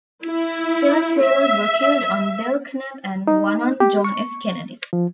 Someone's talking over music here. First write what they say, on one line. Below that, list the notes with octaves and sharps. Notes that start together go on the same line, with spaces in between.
Seven sailors were killed on "Belknap" and one on "John F. Kennedy".
E4
E5
D#4
G4
C#6
F3